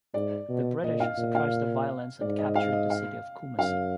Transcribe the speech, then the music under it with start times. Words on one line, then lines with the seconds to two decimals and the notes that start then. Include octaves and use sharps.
The British suppressed the violence and captured the city of Kumasi.
0.14 G#2 D5
0.49 B2
0.83 A#2 D#5
1.00 F5
1.18 A#2
1.35 F5
2.21 G#2 D5
2.39 D#5
2.55 F5
2.72 D#5
2.90 F5
3.58 F#2 F5